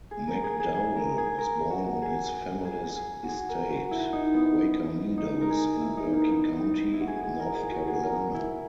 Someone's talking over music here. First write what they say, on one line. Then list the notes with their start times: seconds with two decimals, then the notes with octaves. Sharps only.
McDowell was born on his family's estate, "Quaker Meadows", in Burke County, North Carolina.
0.11 G#4
0.28 A#4
0.44 G#4
0.60 G#4
0.75 G#4
0.96 A#4
1.18 G#4
1.38 A#4
1.70 F#4
2.02 G#4
2.65 G#4
2.96 G#4
3.23 F#4
3.28 G#4
3.49 A#4
3.70 F#4
3.91 E4
4.13 D#4
4.34 B3
5.18 D#4
5.41 A#4
5.50 G#4
5.81 E4
5.97 D#4
6.13 A#3
6.29 B3
6.44 D#4
6.93 E4
7.00 F#4
7.08 G#4
7.24 G#4
7.39 A#4
7.55 G#4
7.71 F#4
7.87 G#4
8.03 A#4
8.34 E4